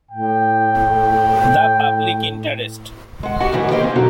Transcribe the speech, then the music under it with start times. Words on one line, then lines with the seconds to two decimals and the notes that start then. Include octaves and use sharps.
The public interest.
0.11 A2 G5
3.23 G#3 F#5
3.40 F#4 G4 D#5 F#5
3.52 F#2 A2 D#3 E3
3.70 D#3 A#3 G4 C5 D#5
3.82 C4 C#4
3.95 F2 B2 D3 D#3 F#3